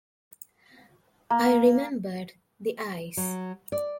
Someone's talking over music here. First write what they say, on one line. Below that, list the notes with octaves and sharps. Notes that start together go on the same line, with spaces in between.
I remembered the eyes.
A#3
F#3
D5